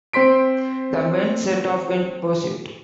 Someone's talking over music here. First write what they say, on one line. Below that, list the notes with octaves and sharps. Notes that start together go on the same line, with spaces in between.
The men set off in pursuit.
C4 C5 C6 B6 D7